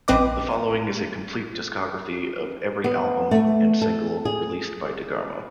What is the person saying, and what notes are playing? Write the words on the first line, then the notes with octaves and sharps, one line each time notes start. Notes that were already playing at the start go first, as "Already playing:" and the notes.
The following is a complete discography of every album and single released by DeGarmo.
A#1 C4 B4 D#5 D6
B3
A3
A4
G#4